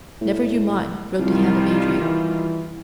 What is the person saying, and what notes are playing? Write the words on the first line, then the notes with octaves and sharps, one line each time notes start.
"Never you mind," wrote the hand of Adrian.
A2
C2 D#3 G3 F4
E3